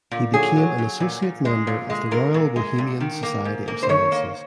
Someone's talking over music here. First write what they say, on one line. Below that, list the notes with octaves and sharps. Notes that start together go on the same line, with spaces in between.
He became an associate member of the Royal Bohemian Society of Sciences.
A#2
F#3 G#4
F#3
F#3
A#2
A#2
G#3
A#2
G#3
A#2 A#4
A#2
G#3
A#2
D#3
A#3
G#2
A#3
C5
D#3 C#5
A#3